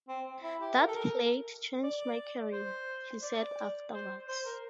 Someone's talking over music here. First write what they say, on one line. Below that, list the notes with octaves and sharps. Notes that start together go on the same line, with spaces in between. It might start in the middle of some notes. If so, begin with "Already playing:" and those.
"That play changed my career", he said afterwards.
C4
E4
G4
A#4
A4
A#4
D5
C5
D5
C5
C5
A#4